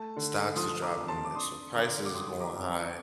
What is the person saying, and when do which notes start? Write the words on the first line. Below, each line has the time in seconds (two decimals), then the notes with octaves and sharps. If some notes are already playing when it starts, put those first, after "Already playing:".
"Stocks is dropping this," or "Prices is going high."
Already playing: A3 A5
0.16 D3
0.56 F3 C6 D#6
0.82 A#5 D6
0.96 F2
1.08 A5 C6
1.24 D6
1.35 D4 C6 D#6
1.74 D3 A#5 D6
2.05 D6
2.14 G3 C6 D#6
2.40 A#5 D6
2.53 F2